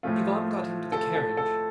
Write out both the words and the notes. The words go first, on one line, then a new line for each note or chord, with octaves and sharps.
Ivan got into the carriage.
A2 F3 A3 F4
A4
A4
A4